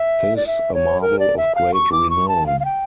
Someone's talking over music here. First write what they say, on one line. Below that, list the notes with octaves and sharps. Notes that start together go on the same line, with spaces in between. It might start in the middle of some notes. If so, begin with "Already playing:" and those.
'Tis a marvel of great renown!
Already playing: E5
D5
E5
C#5
A#4
D5
E5
F5
C#6
D6
C#6
A5
F5
F5
G5